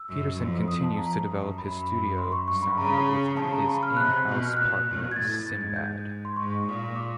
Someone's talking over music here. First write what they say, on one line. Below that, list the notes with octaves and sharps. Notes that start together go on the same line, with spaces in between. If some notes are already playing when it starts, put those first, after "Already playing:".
Peterson continues to develop his studio sound with his in-house partner Simbad.
Already playing: E6
F#2
F2
F2 D#6
A5
F2 A#5
F#2
F#2 B5
C6
C#6
G2 C#6
B5
C#3 A#5
C#3 A5
A#5
B5
F6
C3 F#6
B2
F6
A#2 F#6
B2
G#6
A2 A6
G#2 A6
G#6
G6
C6
G#2 C#6
A#2
D6